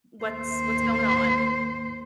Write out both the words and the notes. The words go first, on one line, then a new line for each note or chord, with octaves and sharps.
what's what's going on.
D#2 C5